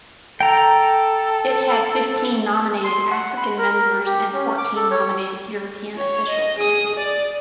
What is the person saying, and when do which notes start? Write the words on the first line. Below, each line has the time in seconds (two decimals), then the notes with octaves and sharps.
It had fifteen nominated African members and fourteen nominated European officials.
0.40 A4 G5 A#5
2.84 C6
3.11 F#5
3.37 B5
3.58 A#4
3.73 A#4
4.06 G4
4.33 C#4
4.58 D6
4.76 A4
4.91 C#5
5.98 C#5
6.29 D#5
6.58 G#4 D#6
6.95 D5